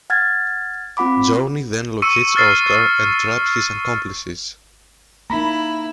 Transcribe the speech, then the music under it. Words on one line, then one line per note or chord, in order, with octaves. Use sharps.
Johnny then locates Oscar and traps his accomplices.
F#5 F6 G#6 A6
C4 F4 F#5 B5 D6
C#6 E6 C#7 D#7
F6 A6 C7
A#3 D#4 E4 A#5 B5